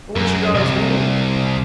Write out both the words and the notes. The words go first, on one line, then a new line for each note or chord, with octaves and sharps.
"What's your dog's name?"
F#2
C2